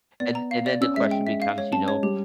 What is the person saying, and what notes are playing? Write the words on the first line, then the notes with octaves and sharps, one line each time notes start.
and and then the question becomes, you know,
B3 D5
A#5
F5
D5
C#4 E6
G#3 E5
G5
E5
F5
C#5
C#4 A5
G#3 C#5
G3 G4